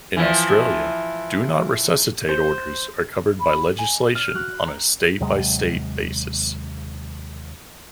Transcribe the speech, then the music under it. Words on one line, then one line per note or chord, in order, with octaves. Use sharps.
In Australia, Do Not Resuscitate orders are covered by legislation on a state-by-state basis.
E3 F3
C5
B5
D#5 G#5 B5
D5 F6
F#4 F#6
A#5
D#2 C3 F#3 G#3